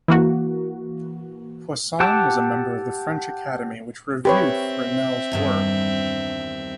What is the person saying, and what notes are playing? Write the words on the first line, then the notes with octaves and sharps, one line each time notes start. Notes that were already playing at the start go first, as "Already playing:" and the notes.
Poisson was a member of the French Academy, which reviewed Fresnel's work.
E3 A#3 F#4
G4 F#5 A5 D6 E6
C4 G4 B4 C#5 E5
E2 G2 D#3